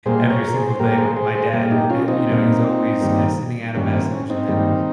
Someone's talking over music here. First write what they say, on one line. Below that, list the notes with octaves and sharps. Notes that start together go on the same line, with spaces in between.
every single day. My my dad eh, you know, he's always, eh, sending out a message and then,
A#2 G3 A#3 G#4 C5
A#4 C#5
G#4 C5
C5
A#2 G3 A#3 G4 A#4
G#4 C5
G#4 C5
G#4 C5
A#2 G3 A#3
D#4 G4
C#4 F4
C4 D#4
A#2 G3 A#3
G2 D#3 G3 A#3
G2 D#3 G3 A#3 C#4
C4
C#4
C4 D#4
G2 D#3 G3 A#3